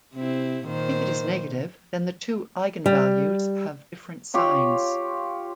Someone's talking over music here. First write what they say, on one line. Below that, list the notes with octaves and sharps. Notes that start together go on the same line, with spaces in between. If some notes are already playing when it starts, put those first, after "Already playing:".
If it is negative then the two eigenvalues have different signs.
C3 C4 E4
A#2 D#3 C5
G3
F4 G4 C#5